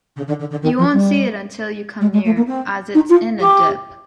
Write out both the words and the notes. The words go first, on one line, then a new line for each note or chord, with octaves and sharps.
You won’t see it until you come near, as it’s in a dip.
C#3
D3
D3
D3
D#3
F3
G3
G#3
G#3
A3
A#3
C4
D#4
F4
G4